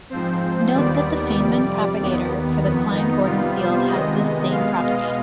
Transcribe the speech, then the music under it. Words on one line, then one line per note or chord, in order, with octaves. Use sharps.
Note that the Feynman propagator for the Klein-Gordon field has this same property.
G#2 F3 C4 C5
D#2 D#3 G3 B3 D5
F2 C3 G3
D#2 D#3 B3
F2 D#3 B3
D#4
C3 G3 B3 F4
C5
C3 D#3 G#3 B3 D#5
B2 G#3 B3 F5
D#5